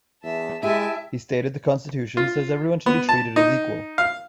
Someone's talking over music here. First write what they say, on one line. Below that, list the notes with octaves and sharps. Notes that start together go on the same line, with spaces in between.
He stated The Constitution says everyone should be treated as equal.
E2 E5 A5
G#3 E4 G4 E5 G#5 A5
F4
B3
A5
D#4
F5